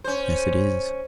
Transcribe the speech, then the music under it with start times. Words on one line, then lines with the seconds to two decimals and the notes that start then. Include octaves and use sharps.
"Yes, it is."
0.04 C#4 C5